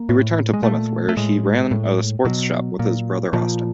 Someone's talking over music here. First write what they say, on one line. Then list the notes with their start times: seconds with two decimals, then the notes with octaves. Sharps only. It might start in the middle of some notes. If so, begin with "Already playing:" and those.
He returned to Plymouth, where he ran a sports shop with his brother Austin.
Already playing: A#3
0.09 A2
0.54 G#3
0.63 A#2 A3
1.09 A3
1.17 A2 G#3
1.71 A2
2.25 B2 F#3
2.79 A#2
3.33 A#2 F3